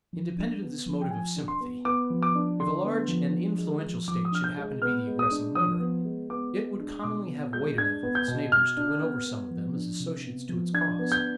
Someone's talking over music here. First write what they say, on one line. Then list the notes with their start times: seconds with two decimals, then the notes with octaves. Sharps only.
Independent of this motive of sympathy, if a large and influential State should happen to be the aggressing member, it would commonly have weight enough with its neighbors to win over some of them as associates to its cause.
0.13 F3
0.38 D4
0.62 B3
0.86 F3
1.01 G5
1.11 F3 G#5
1.36 D4
1.48 C6
1.61 B3
1.85 B3 D6
2.10 F3
2.23 D6
2.35 D4
2.60 D3 C6
2.84 B3
3.08 F3
3.34 D4
3.58 G#3
3.83 F3
4.08 F3 D6
4.25 D#6
4.32 D4 F6
4.44 G6
4.57 G#3
4.82 B3 F6
5.07 G#3
5.19 D#6
5.31 D4
5.55 F3 D#6
5.80 B3
6.05 G#3
6.30 B3 D6
6.55 G#3
6.79 D4
7.03 B2 D6
7.28 B3
7.53 G#3 G6
7.78 D4 G#6
8.03 B3
8.15 G6
8.28 B2
8.52 B2 F6
8.77 D4
9.01 B3
9.26 B3
9.51 F3
9.75 D4
9.99 C3
10.24 B3
10.49 F3
10.74 D4 G#6
10.99 B3
11.12 G6